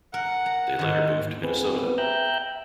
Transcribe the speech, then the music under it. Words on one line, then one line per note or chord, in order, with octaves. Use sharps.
They later moved to Minnesota.
A#4 F#5
A#5
G#2 D#3
B3 C4 G#4 B4
E5 G5 A#5 E6 F#6 G6